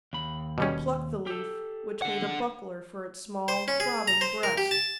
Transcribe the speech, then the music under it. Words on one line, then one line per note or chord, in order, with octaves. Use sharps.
It plucked the leaf, which made a buckler for its small throbbing breast.
D#2 B5
B2 G3 C#4
G4 A4
D3 F#5
C5
C#4
G#4
A#5
C5
A#4
G4
A5